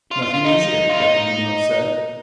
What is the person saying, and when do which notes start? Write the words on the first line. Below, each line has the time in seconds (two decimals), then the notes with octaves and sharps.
"Nothing easier," Captain Nemo said.
0.11 F4
0.22 F4
0.34 F4
0.45 D#4
0.89 F4
1.00 D#4